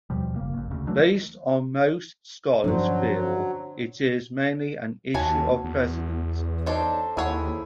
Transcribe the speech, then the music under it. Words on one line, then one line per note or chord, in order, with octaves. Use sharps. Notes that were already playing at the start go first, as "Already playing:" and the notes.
Based on most scholars feel it is mainly an issue of precedence.
D#2 B2 F3 G3
F#1 F2 C#3 A#3
A1 F2
D2 C#3
E3 F#3 A3 D4
G2 F3 F#3 C#4 D4 C5
D#2 F#4 C#5 G#5 A5
E2
D4 D#4 A4 C5 C#5
D#2 E4 G#4 C#5 F#5